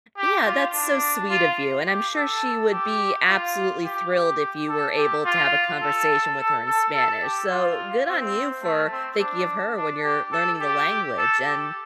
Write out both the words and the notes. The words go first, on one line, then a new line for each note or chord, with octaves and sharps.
Yeah, that's so sweet of you, and I'm sure she would be absolutely thrilled if you were able to have a conversation with her in Spanish, so good on you for thinking of her when you're learning the language, and,
G4
F4
D4
F4
G4
A4
G4
F4
G4
G4
A4
G4
F4
A4
A4
A4
A4
G4
F4
C4
A3
C4
D4
D4
G4
A4
G4
A4
G4